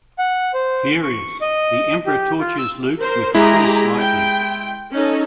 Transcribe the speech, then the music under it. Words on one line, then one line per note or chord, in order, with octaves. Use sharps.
Furious, the Emperor tortures Luke with Force lightning.
F#5
C5
C#6
D#5
G4
F4
E6
A#4 C5
G#3 E4 G4 G#4 A#5
G5
C#4 D#4 A4